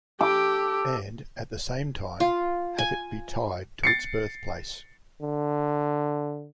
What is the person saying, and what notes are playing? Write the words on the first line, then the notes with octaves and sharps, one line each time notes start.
And, at the same time, have it be tied to its birthplace.
G4 A4 D6
F4
G#5
A6 C7 C#7
D3